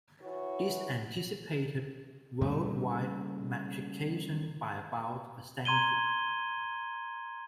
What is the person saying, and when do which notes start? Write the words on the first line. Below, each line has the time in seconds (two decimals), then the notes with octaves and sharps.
This anticipated worldwide metrication by about a century.
0.22 E3 F#4 C#5
2.41 A#2 C#3 G3 A3
5.65 A#5 C6 G#6 D#7 G7